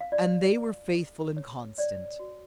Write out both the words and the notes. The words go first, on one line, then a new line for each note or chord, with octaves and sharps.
And they were faithful and constant.
F5
F4 D5
B4
A4
C#5
C#5 D5
F#4